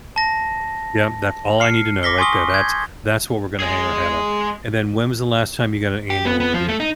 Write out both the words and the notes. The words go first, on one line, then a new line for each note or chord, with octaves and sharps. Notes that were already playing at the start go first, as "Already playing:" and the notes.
Yeah. That's all I need to know right there. That's that's what we're gonna hang our hat on. And then when was the last time you got an annual review?
A5 A#6
F6 C7 C#7
D6 A#6 B6 G7
G#5 C6 C#6 D#6 G7
G6 G#6
G#3 G#4
G4
B3
B3
F3
A3
D#4